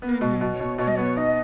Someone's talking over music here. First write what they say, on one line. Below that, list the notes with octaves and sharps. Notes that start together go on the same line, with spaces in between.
Mhm. Mhm.
B3 B4
B2
B2
C#5
B2
B2 C#5
D#5
B3 C#5
D#4 D#5